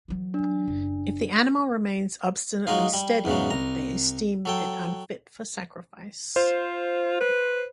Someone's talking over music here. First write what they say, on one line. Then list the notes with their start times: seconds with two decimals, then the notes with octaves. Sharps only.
If the animal remains obstinately steady, they esteem it unfit for sacrifice.
0.08 E3 F#3
0.34 D4
0.68 F#1
2.67 F#3 G#3 D#4 F4
2.93 G3
3.25 E2 G#2 C#3 F#3
3.50 C2 A#5
4.45 F#3 A4 G5
6.36 F4 C5
7.21 B4